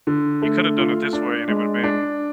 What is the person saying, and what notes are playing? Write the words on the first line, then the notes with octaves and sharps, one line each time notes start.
You coulda done it this way, and it would’ve been"
D3
A3
F4
D4
G#3
D4